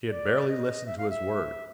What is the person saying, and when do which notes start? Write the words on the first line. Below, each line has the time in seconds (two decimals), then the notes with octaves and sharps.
She had barely listened to his words.
0.10 D5
0.49 D#5
0.86 E5
0.98 F5
1.10 E5